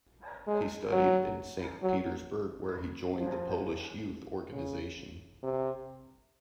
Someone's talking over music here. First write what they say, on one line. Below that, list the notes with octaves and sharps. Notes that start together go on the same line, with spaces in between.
He studied in Saint Petersburg where he joined the Polish Youth Organization.
G#3
F#3
F#3
F3
C#3
C3